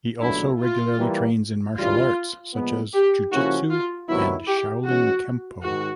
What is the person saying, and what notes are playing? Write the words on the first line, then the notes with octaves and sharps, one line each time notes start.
He also regularly trains in martial arts such as jiu-jitsu and Shaolin Kempo.
C#2 B2 F#3 A3 D4 E4
F4
E3 G3 A#3
D2 C#3 E3 G3 F4
A#2 F3 G#3 B3
G4
C#3 F3 A#3 C#4 E4 F#4
F4
D2 C3 D#3 F#3 B3 E4
G4
E3 G#3 C#4 F#4
G#2 D#3 F#4